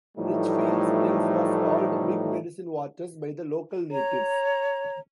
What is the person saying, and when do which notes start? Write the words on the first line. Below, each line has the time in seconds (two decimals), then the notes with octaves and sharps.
Richfield Springs was called "Big Medicine Waters" by the local natives.
0.18 A2 E3 F3 G3 A3 D#4
3.91 C#5 A#5